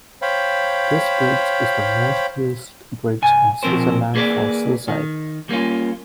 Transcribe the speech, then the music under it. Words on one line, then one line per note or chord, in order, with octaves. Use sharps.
This bridge is the most used bridge in Switzerland for suicide.
C5 C#5 F5 G5 B5
C2 G2 G#5
B2 F3 C4 A#4 C5
A#3 G#4 B4 C#5 D5
D#3
G3 A#3 C#4 F4